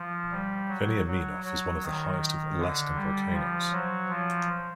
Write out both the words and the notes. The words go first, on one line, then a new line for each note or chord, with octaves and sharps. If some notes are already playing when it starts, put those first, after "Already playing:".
Veniaminof is one of the highest of Alaskan volcanoes.
Already playing: F3
G3
F#3
F#3
F#3
D#3
D3
G3
F3
F#3
F3